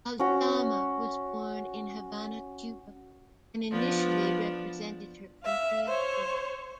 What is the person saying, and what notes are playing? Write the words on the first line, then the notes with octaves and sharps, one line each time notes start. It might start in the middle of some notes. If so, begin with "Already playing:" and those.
Aldama was born in Havana, Cuba, and initially represented her country of birth.
C#4 F#4
F3 B3 D4
E5 F5
C5 C#5